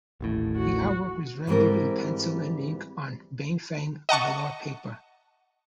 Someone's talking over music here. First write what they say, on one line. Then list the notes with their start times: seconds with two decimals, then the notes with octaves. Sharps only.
The artwork was rendered in pencil and ink on Bienfeng velour paper.
0.21 D#1 A1 A2
0.56 F#4
1.47 G#2 E3 G3 C4 A4 A#4
4.09 D#5 F#5 A5 C#6